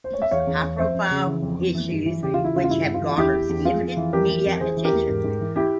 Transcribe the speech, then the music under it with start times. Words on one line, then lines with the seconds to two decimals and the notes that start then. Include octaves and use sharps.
High-profile issues which have garnered significant media attention.
0.04 C5
0.13 C#5
0.22 E5
0.31 E2 C#5 F5
0.47 E2
0.63 E2
0.78 F2 C5 E5
0.94 F2
1.11 C#3
1.27 E3
1.42 F2
1.58 F2
1.74 E3
1.90 G2
2.06 E3
2.22 C#3 G4
2.34 E3 F4
2.45 E4
2.54 C#3 F4
2.64 F4
2.70 G2 E4
2.85 G2
2.94 F4
3.02 E3
3.18 E2 E4 G4
3.34 E2
3.49 E2
3.65 F2 F4 G#4
3.81 F2
3.96 E3
4.13 F2 G4 A#4
4.29 E3
4.45 F2
4.60 E3 G#4 C5
4.77 E3
4.84 G4 A#4
4.92 E2
5.08 G#2
5.24 G#2
5.40 E3
5.56 E4 G4